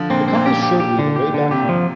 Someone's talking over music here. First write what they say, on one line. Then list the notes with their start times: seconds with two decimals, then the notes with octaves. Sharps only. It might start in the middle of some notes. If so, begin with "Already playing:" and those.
The compass showed me the way back home.
Already playing: D3 F3
0.10 A#2 C4
0.28 C4
0.35 A#2
0.46 G4
0.63 G4
0.80 G4
0.99 D3
1.16 G4
1.34 D3
1.51 C3 G4
1.69 F3